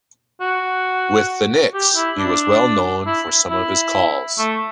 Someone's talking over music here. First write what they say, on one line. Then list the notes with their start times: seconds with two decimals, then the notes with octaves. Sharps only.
With the Knicks, he was well known for some of his calls.
0.41 F#4
1.74 G4
1.96 E4
2.18 D4
3.06 E4
3.51 E4
4.38 A3